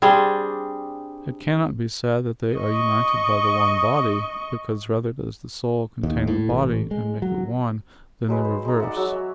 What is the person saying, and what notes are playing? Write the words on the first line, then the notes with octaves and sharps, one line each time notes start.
It cannot be said that they are united by the one body; because rather does the soul contain the body and make it one, than the reverse.
G3 C4 D4 G#4
D#5 C#6
D#2
A2
A1
G#3
F#3
F#3 G#3 B4
C5
G#3 D#4
G#3 D5 E5 F#5
F#3
C#5